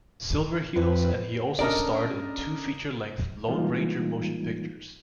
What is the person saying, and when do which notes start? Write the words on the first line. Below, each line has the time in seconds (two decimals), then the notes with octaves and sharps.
Silverheels and he also starred in two feature-length "Lone Ranger" motion pictures.
0.76 F2 C4 B4
1.59 C#4 D4 A4 A#4 D5 D#5
3.49 E3 G3 G#3 A#3 D#4 F4